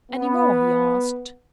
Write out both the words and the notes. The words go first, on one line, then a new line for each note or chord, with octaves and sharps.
"Any more?" he asked.
B3